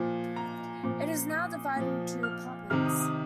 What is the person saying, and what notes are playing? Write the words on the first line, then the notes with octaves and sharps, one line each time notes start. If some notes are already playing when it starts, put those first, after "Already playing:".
It is now divided into apartments.
Already playing: A#2 F3
A#5
A#2 F3
D#6
A#2 F3
F6
C3 D#3 F6
D#6
D#6